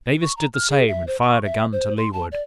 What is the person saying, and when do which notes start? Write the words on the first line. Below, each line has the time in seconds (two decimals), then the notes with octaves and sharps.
Davis did the same, and fired a gun to leeward.
0.22 C#6
0.37 A#5
0.54 F6
0.70 G#4
0.88 E5
1.07 C5
1.22 C#6
1.44 E5
1.72 C5
1.98 C6
2.13 A5
2.32 D5